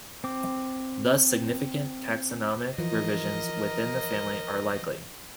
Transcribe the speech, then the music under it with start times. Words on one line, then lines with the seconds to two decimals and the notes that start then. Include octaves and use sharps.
Thus, significant taxonomic revisions within the family are likely.
0.24 C4 D6
2.78 E3 F3 A#4 D#5